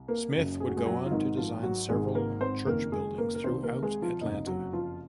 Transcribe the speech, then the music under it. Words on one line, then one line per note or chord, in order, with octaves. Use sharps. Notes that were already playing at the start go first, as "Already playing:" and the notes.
Smith would go on to design several church buildings throughout Atlanta.
Already playing: C2
A#3 A#4
F#1 F#2 C#3
G#4
F#4
G#3 G#4
F#3 F#4
F4
G#1 G#2 D#3 D#4
F3 F4
F#3 F#4
G#1 G#2 D#3 G#3 G#4
A#3 A#4
C4 C5
F#1 F2 D#3 A#3 A#4
G#3 G#4
A#3 A#4
A#4
C2 C3 D#3 C4 C5
A#3 A#4
G#3 G#4
F3 F4
F#1 F2 C3 D#4
F#3 F#4
F3 F4